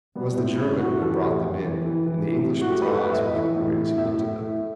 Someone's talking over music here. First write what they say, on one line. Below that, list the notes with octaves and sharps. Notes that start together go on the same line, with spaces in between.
It was the German who had brought them in, and the Englishman's eyes were hungry as he looked at them.
G3 B3
A2 C4
A2 E4
A2 F#4
E3 A4
G4
A2
E3
E3
E3
E3
A2
A2
F#4
A3 G4
B4
A3 A4
B4
A2 E5
D#5
E3 E5
A2
A2
A2 E5
A2
A3